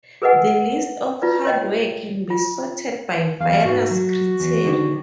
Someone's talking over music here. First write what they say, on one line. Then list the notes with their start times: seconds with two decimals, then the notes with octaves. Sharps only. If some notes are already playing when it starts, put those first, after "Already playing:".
The list of hardware can be sorted by various criteria.
0.22 G#4 A#4 B4 D#5 F#5 G#5
1.22 E4 F4 B4 D5
1.45 C#5 D#5 G5
2.30 F4
3.40 E2 F5
3.65 G#2 F#4
3.91 F#3
4.40 E2
4.65 D3 D#3 D4